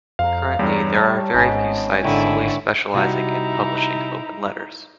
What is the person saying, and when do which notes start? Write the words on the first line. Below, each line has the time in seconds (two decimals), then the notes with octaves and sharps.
Currently there are very few sites solely specialising in publishing open letters.
0.19 F2 C5 F5 A#5
0.59 E2 G2 G3 C#5 A#5
0.97 A5
1.34 G#1 G#2 B3 C#4 D#4
2.03 G#2 D3 E4 A#4 G5 C#6
2.94 C3 G3 D#4 E4 F#4 A#5